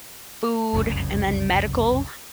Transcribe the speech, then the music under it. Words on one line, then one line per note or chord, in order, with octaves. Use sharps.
food, and then medical,
F1 C2 F#2 C#3